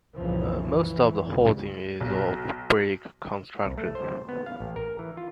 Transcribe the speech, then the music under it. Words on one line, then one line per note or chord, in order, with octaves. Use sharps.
Most of the housing is of brick construction.
C2 F#2 A#2 C#3 E3 F3
E3
C#2 C#3 G3
B1
C2
A3
C5
B3
F5
A1
A#4
E3
F4